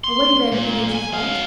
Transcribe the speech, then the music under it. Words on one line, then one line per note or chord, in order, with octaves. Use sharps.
Away, then, image of light!
C6
A#2
G#5
F#3 F5